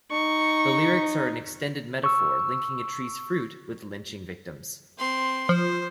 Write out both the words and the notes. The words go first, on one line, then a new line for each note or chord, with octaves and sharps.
The lyrics are an extended metaphor linking a tree's fruit with lynching victims.
D#4 C#6
C#6 E6
C4 C6
F3 C5